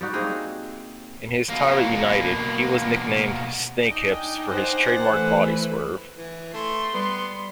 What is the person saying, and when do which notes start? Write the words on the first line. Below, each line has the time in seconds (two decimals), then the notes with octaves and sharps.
In his time at United, he was nicknamed "Snakehips" for his trademark body swerve.
0.01 G3 D#4 F#4
0.13 A#3 C4 D#4 G#4
1.49 B2 A#3
3.83 D4 D#4 D#5 G5 G#5
4.50 C5 F#5
5.04 E3 A3 B4
6.17 E3
6.54 A3 C6
6.93 G3 B3 B4 D5